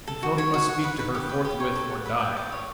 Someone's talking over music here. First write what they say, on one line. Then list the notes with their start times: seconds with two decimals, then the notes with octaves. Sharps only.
He felt he must speak to her forthwith, or die.
0.08 A4
0.23 F#4
0.38 C#5
0.54 F#4
0.68 F#5
0.84 B4
0.99 B4
1.15 G4
1.29 B4
1.45 G4
1.60 C#5
1.76 A4
1.90 F#5
2.06 B4
2.21 G5
2.37 D5
2.52 C#5